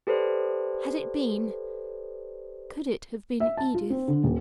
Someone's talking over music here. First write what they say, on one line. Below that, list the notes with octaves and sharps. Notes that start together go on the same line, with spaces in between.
Had it been--could it have been Edith?
G4 A4 B4 C5 D5
E5
A5
F4
C4
D3
D#1